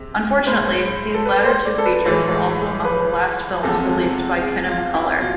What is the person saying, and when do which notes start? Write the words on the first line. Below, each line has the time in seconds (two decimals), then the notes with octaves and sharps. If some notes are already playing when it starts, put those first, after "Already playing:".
Unfortunately, these latter two features were also among the last films released by Kinemacolor.
Already playing: C3 G#3
0.46 A2 G#3 C5
1.14 A4
1.25 B4
1.45 C5
1.65 D5
1.78 A4
1.85 B4
2.06 A2 E3 G#3
2.84 B4
3.63 E2 C3 F3 G#3 A4
4.41 G#4
4.69 F4
4.95 E4
5.21 B2 F4